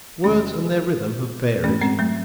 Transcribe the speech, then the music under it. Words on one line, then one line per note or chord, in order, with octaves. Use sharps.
Words and their rhythm have varied.
E2 C3 D#3 A3 C#4
G#2 E3 A3 C#4
G#3 C4
F#3 A3